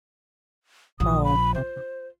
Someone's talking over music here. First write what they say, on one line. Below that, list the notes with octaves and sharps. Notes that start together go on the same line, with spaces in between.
Oh. Uh-uh.
A#1 F3 D#6
B5
F4 C5